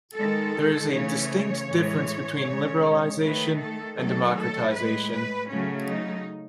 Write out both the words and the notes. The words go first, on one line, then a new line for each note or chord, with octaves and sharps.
There is a distinct difference between liberalization and democratization.
D#3 G#3 A4
C#3 E3 A3 C#5
A2 E3 G#3
C#3 G#3
D#3 A3 B4
A4
D#3 F#3 A3 A4
A4
A2 G#3 B4
B4
C#3 F#3 A3 C#4
D#4